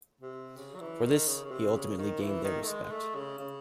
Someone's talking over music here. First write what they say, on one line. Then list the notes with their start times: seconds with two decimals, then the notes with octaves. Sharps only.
For this he ultimately gained their respect.
0.21 C3
0.57 C#3
0.75 F#3
0.80 E3
1.04 D#3
1.26 C#3
1.45 C#3
1.51 C3
1.75 C#3
1.98 D#3
2.21 E3
2.44 D#3
2.62 A3
2.68 G#3
2.83 G#3
2.91 A3
3.15 C#3
3.39 C#3